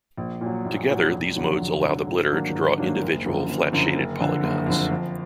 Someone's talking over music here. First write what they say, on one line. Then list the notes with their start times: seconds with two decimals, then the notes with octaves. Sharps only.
Together, these modes allow the blitter to draw individual flat-shaded polygons.
0.18 A#1
0.41 A#2 F#3
0.65 A#1
0.89 A#2 F#3
1.12 F1
1.36 F2 D3 F#3
1.59 F1
1.84 F2 D3 F#3
2.07 G#2
2.30 D#3 F#3 A#3 D4
2.54 G#2
2.78 D#3 F#3 A#3 D4
3.02 F#1
3.26 F#2 D3 F3
3.49 F#1
3.72 F#2 D3 F3
3.96 F#1
4.20 F2 D3
4.43 F#1
4.66 F2 D3
4.91 F2